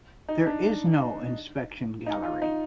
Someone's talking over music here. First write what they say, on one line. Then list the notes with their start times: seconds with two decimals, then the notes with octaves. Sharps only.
There is no inspection gallery.
0.29 D#4
0.47 D4
2.06 D#4
2.23 F4
2.42 D#4